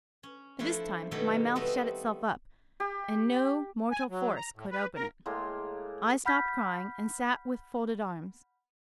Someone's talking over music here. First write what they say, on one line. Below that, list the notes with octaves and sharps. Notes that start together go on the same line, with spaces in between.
This time my mouth shut itself up, and no mortal force could open it. I stopped crying, and sat with folded arms.
C#4
F3 A3 D4 E4
B2 D#3 F#3 A3 E4 G4
G3 A3 B3 C4 A4 D#5
G4
G#5
F#3
A#5
A2
B4
A#4
A2 G#3 A#3 C6
F#5 B5 F6 G6 B6